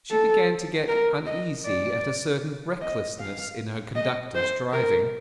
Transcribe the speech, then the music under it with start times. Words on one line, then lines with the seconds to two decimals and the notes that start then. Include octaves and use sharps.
She began to get uneasy at a certain recklessness in her conductor's driving.
0.11 A4
0.88 A#4
1.26 D#5
1.65 D5
2.81 D#5
3.19 F5
3.96 D#5
4.35 C5
4.73 A#4